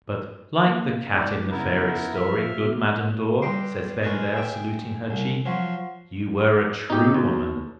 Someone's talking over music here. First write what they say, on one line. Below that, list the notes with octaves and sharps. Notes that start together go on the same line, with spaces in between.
But like the cat in the fairy-story, good Madame Dor," says Vendale, saluting her cheek, "you were a true woman.
A#3
G#2 D5
C#3 B3 E4 A#4
F3 E5 F6
B2
G2 D#5 G5 C6
G#3 A#4 B4 C#5 D#6
G#4 E5 G5
C2
F3 F#3 F4 C#5
B2 D#4 G4
D#2